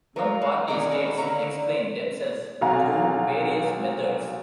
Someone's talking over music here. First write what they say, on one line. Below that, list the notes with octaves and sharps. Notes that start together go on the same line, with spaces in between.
One-party states explain themselves through various methods.
F#3 F4 A#4 D#5 F5
A#2 G#3
B2 D#3 C#4 G#4 D5 A#5
B3 C#4 F#4 A4
D3 D#3 A#3 C#4 A#5
D3
B1 C3 F#4 F5 G#5 A#5